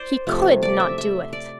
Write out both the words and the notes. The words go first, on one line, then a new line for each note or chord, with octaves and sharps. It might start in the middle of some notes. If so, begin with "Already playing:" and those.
He COULD not do it!
Already playing: C5 D5
C3 F3 A3
D5
E5
E5
D5